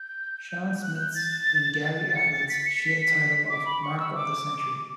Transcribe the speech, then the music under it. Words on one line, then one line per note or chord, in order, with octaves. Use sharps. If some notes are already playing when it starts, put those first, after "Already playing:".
Shaun Smith's and Gary Ablett's shared title of "Mark of the Century".
Already playing: G6
F#6
G6
A6
A6
C#7
A6
B6
C#7
B6
D6
B5
C#6
E6
D6